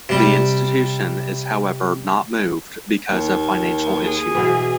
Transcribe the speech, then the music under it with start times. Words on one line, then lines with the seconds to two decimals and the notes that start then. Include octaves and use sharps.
The institution is however not moved because of financial issue.
0.09 C3 G3
3.10 D#2
4.05 G#4
4.35 B2 E3